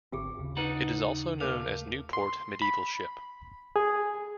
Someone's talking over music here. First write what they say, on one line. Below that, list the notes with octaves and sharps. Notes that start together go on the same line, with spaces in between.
It is also known as Newport Medieval Ship.
G#1 D3 C4 F4 G4 G#4
D#2 C#3
D4 D#4 B4 F#5 A#5
A3 G#4 A#4 F5
C6
B5
G#4